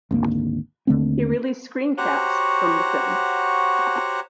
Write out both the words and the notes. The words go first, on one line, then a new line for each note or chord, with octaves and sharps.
He released screencaps from the film.
G#1 D2 A#3
D#2 D3 A3 C4
F#4 G4 C5 C#5 F#5 A#5